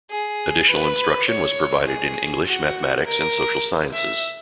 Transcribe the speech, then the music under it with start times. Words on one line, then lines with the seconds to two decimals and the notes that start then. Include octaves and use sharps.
Additional instruction was provided in English, mathematics, and social sciences.
0.11 G#4
0.70 B4
1.28 C#5
1.87 G#4
2.46 F#4
3.05 A#4
3.93 E5